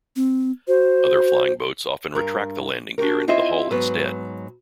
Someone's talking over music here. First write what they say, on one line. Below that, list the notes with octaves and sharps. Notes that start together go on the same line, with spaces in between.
Other flying boats often retract the landing gear into the hull instead.
C4
F#4 C5
G2 A#4
D4 F#4 G4 A#4
C4 E4 F4 C5 D#5 E5
G#2 F#3 B3 B4